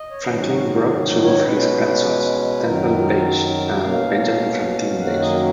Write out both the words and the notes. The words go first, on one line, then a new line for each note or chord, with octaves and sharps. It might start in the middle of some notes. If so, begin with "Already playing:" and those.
Franklin brought two of his grandsons, Temple Bache and Benjamin Franklin Bache.
Already playing: D#5
C#5
G#2 D#3 F#3 C#4 B4
G#4
F#4
G#4
F#4
G#4
C#5
B2 G#3 C#4 B4
F#2 D#3 F#3 A#4
B2 A#3 C#4 F5
F#2 D#3 F#3 A#3 C#4 F#5
D#5